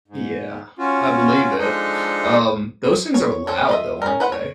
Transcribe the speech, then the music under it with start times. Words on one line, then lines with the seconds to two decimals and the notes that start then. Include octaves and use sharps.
Yeah. I believe it. Um, those things are loud, though, aren't they?
0.08 G#2
0.79 C#4 F4 F#4
1.58 F3 G#3 D4 D#4 A4 D#5
3.14 C#5
3.47 A4 C5 C#5
3.69 F4 D#5 E5
4.02 C#4 A#4
4.20 B4 C5 F#5
4.32 C#5